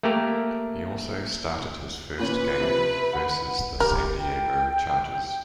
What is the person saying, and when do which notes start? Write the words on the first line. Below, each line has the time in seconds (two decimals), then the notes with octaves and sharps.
He also started his first game versus the San Diego Chargers.
0.03 A3 A#3 G4 A#4
2.19 A#2 C#4 B4
2.60 C3 F3
3.13 F#5 B5
3.80 G4 A#4
4.18 G5